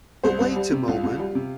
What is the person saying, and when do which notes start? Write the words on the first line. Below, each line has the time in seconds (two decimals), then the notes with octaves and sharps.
But wait a moment!
0.23 C2 C5
0.40 C2
0.56 G3
0.71 C3
0.87 C2 F4
1.03 C2
1.19 G3
1.35 C3